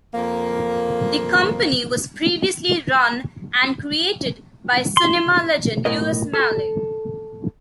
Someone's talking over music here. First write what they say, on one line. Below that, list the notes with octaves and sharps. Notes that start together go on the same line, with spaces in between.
The company was previously run and created by cinema legend Louis Malle.
F2 A#3
C6
B1 A2 A#4 D#5
A4